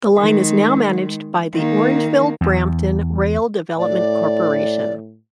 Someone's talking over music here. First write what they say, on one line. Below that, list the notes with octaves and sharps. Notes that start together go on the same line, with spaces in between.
The line is now managed by the Orangeville Brampton Rail Development Corporation.
D#3 G#3
D#3 A#3
E2
A2 D5